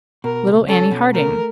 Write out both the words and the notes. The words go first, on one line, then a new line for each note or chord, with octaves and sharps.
"Little Annie Harding."
B2 A#4
C#2
C#4 A4
B2
A3 A#4